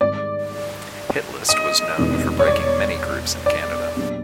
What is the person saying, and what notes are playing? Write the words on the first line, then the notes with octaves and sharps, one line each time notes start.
"Hit List" was known for breaking many groups in Canada.
G#2 D#3 G3 D5
D#5
E1 E2 C3 D#3 G3
C#5
D5
D5
A#2 F#3 B3 D4 G4